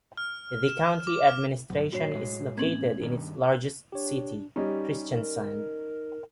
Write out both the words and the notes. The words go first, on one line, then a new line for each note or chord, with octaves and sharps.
The county administration is located in its largest city, Kristiansand.
F6
E7
D6
F6
B1 G2 F#3
G2 A#2 F#4 C#5 C7
A2 G#3
A#3 C4 C#4 G#6 F#7
G2 D#3
D4 G4 C#5
G3 C#4 D#4 G4 D#5
A#4